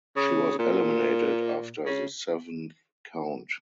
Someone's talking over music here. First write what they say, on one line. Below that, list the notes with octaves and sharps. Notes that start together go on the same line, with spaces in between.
She was eliminated after the seventh count.
C#3
A#2
C#3